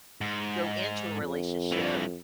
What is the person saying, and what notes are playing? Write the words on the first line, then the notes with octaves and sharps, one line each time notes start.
go into a relationship,
G#2
F2
G2 E3